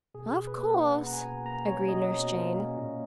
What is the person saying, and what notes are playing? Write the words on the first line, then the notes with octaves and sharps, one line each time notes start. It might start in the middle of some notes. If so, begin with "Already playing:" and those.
"Of course," agreed Nurse Jane.
B2 G#4
B2
B4
A#3
C#4 F#5
B2 A#5
G#5
B2
A#3 A#5
C#4 C#5
B2 D#5
B2
A#3
C#4
A#2